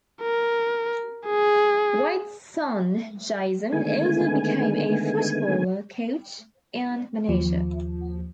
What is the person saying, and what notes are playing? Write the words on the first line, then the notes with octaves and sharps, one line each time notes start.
Withe's son, Jason, also became a footballer, coach and manager.
A#4
G#4
D3 D#3 G#3 A3 B3 G#5
D#2 F3